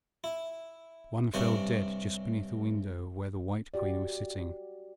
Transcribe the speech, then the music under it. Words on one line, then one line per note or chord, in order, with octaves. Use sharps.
One fell dead just beneath the window where the white Queen was sitting.
E4
G2 C3 C#4 D4
F#4 G4 D5